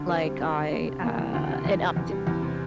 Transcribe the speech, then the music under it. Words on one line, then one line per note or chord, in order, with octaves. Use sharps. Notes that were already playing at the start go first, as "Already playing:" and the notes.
like, I, uh an update.
Already playing: D2 D3
C4
G3
D2
D3
D2
C3
A#3
E3
D2
C3
E2
C3
E2
G3
E2
C3